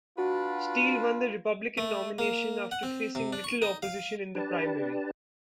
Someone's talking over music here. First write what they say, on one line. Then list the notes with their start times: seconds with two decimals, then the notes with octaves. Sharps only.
Steele won the Republican nomination after facing little opposition in the primary.
0.18 D4 F4 F#4 B4
1.78 A3
2.18 A#3
2.71 F#5
2.83 C4
3.15 C3
3.33 D4
3.44 C#6
3.62 D#4
3.82 F5
4.35 D4 G4 B4 A5